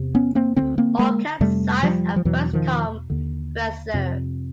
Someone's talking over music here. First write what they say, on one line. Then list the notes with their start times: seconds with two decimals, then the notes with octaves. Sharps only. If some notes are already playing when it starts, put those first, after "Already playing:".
All camp sites are first-come, first-served.
Already playing: E2 C3
0.15 B3 C#4
0.35 A#3 C4
0.56 D3 A#3 C4
0.62 D2
0.78 A#3 C4
0.99 G#3 A#3
1.40 F2 C3 G3 A3
1.83 F3 G3
2.16 F3
2.25 E2 B2 E3 F#3
2.53 D#3 F3
3.10 D#2 D3
3.94 F2 C3